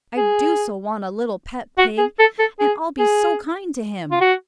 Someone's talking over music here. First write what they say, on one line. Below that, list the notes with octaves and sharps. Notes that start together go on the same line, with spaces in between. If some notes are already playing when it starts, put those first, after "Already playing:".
"I do so want a little pet pig, and I'll be so kind to him!"
G#4
F#4
G#4
A4
A4
G#4
G#4
F4
F#4